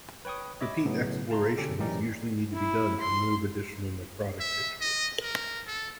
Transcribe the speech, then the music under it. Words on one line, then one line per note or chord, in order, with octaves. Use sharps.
Repeat explorations usually need to be done to remove additional necrotic tissue.
B4 C#5 G5 C#6 D#6
C#5 D#5 E5 B5 D6
A2 C#3 F#3 A3 B3
F5 A5 A#5 C6
B2 D3 C#4 G4 A4
F#2 E3 C#4 D#4 G4 D5
E4
C6
E5
D#5
A#4
A4